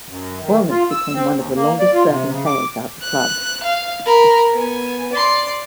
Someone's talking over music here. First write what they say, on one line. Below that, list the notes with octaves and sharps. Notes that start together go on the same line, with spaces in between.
Wilnis became one of the longest-serving players at the club.
F#2
D#3
F4
E6
C4
D#2
A#3
D5
F4
C3
C#3
D6
F#6
F5
A#4 B5
B3 G#5
D5 C6